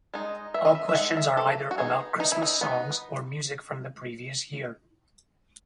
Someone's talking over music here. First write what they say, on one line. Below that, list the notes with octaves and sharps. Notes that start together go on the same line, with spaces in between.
All questions are either about Christmas songs, or music from the previous year.
G#3 D#4
E3 E5
D#5
E5
E5
G#3 D#4 F#5
E5
E3 A4
F#4
B3 D#4 G#4
E3 D#4
E4
D#4
B3 D#4